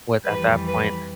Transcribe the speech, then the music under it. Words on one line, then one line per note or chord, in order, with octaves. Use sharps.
with, at that point,
F2 E3 G3 B4
B4